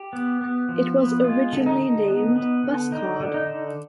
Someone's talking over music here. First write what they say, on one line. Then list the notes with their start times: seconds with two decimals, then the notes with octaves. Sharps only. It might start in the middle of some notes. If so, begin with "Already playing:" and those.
It was originally named 'BusCard'.
Already playing: G4
0.13 B3
0.41 B3
0.69 F3
0.96 B3
1.24 G#3 F4
1.52 D3
1.66 D#4
1.81 D3
2.08 B3
2.36 B3
2.64 D3
2.92 D3 D#4
3.20 D3
3.34 D#4
3.47 D3